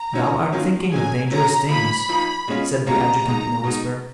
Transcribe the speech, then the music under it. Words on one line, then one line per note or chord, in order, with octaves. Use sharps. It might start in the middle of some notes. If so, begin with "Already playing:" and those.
"Thou art thinking of dangerous things," said the adjutant, in a whisper.
Already playing: A#5
D#3 F#3 C#4 F4
D#3 F#3 C#4 F4
F#3 C#4 G#4 G#5
F#3 C#4 G#4 A#5
F3 A#3 D#4 B5
F3 A#3 D#4
B2 G#3 C#4 F4
B2 G#3 C#4 F4 A#5
B2 G#3 D#4
B2 G#3 D#4